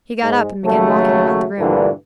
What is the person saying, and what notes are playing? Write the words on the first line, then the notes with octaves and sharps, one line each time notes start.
He got up and began walking about the room.
G#2 G#3
D#2 C#3 F#3 A3
G2 A#2 D3 E3 F3 A3